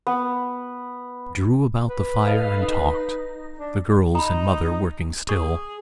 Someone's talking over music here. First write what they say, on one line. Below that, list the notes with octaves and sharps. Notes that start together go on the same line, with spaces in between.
They drew about the fire, and talked; the girls and mother working still.
B3
B4
A4 D#5 F5
D#4
D4
D#4 A#5 B5
G#4 C#6